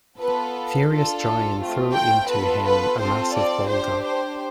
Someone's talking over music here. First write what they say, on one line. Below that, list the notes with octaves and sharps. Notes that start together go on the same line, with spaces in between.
Furious giant threw into him a massive boulder.
B3 F4 A4 B4
D4 F4 A4
A3 C4 F4
G5
B3 F4 A4 B4
B4
C4 F4 A4 C5
D5
D4 G4 C5
C5